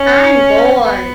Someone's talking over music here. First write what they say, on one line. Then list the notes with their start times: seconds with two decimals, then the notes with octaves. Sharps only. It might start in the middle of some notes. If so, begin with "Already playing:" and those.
I’m bored.
Already playing: C#4
0.85 B3